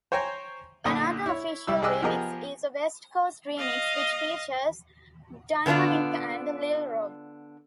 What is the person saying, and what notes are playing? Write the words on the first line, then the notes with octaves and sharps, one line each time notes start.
Another official remix is a West Coast remix which features Diamonique and Lil Rob.
C5 C#5 G5 G#5 A#5 C6
B1 A#2 D3 B5 D#6
E4 C#5
C2 G3 E6
C2 G#4 D5 D#5 E6 F#6
F3 B3 G4 G#4 A#4 D#5
D#5 F5
D3 B3 C#4 D4 F4